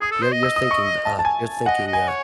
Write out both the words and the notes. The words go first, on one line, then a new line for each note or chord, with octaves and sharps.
Yeah, you're thinking, uh you're thinking, uh
G#4 D#6
A4
C5
D#5
E6
D#6
C#6
A5
A5
G#5
D#5 F#5
D#5
G#5
C#5